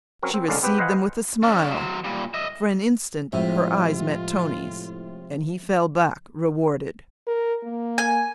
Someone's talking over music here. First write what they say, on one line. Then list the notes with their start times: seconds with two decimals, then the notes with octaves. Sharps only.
She received them with a smile; for an instant her eyes met Tony's, and he fell back, rewarded.
0.23 F#3 C4 C#4 A#4
0.34 C4
0.48 C2 D3 G#3 C#4 D5 F5
0.63 B3 C4 G4 B4
0.78 B4 C5 D#5 F5 F#5 G#5
1.43 C#4 D4
1.71 F#3 C5
2.04 A#2 G3
2.34 D#5 E5
3.33 A2 C3 F3 G#3 F4 E5
7.27 A#4
7.64 A#3
7.98 G#5